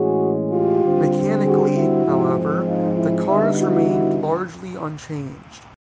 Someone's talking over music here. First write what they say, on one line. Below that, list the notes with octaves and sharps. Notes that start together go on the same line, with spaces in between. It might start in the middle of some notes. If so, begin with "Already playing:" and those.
Mechanically, however, the cars remained largely unchanged.
Already playing: A2 E3 G#3 C#4 F#4 G#4
F4 G4
D3 G3 C4
F#4 G#4
E4 F#4
G#2 F3 G#3 C4
D#4 F4
E4
D3 G3 B3 D#4 E4
E4 F#4